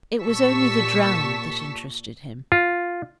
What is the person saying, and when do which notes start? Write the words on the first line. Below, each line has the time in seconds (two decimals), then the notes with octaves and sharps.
It was only the drowned that interested him.
0.24 A#2 G4 A5 C#6 E6 B6
2.52 F4